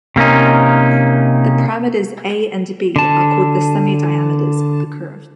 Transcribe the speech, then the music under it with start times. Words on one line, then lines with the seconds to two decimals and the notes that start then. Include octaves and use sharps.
The parameters "a" and "b" are called the "semi-diameters" of the curve.
0.16 C3 A#3 C#4 D#4
2.96 D3 A5